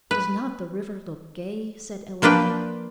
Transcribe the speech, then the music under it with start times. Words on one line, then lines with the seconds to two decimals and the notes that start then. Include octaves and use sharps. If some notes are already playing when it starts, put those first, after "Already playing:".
"Does not the river look gay?" said Eleanor.
0.11 B4
2.22 F3 A#3 D4 B4 G5